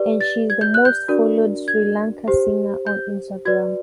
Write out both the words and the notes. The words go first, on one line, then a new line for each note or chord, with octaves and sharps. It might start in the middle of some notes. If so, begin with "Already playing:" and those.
And she is the most followed Sri Lanka singer on Instagram.
Already playing: G4 B4 D5
A6
G#6
G6
F#6
G6
D4 F#4 A#4 D5
G#6
G4 C5
G6
F#4 B4 D5 G#6